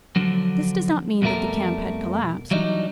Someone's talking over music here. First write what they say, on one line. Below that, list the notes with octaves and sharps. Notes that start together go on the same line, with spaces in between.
This does not mean that the camp had collapsed.
D3 F3 F#3
F2 B2 G3 A3 A4 A#4
E3 F#3 G3 D4 D#4